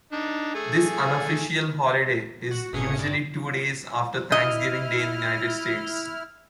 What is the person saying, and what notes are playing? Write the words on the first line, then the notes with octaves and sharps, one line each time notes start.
This unofficial holiday is usually two days after Thanksgiving Day in the United States.
D4 D#4
A3 G#4 G#5
F#4
G1 A2 C#4 G#4 D#6 C#7
G2 D5
E4 D#5 F6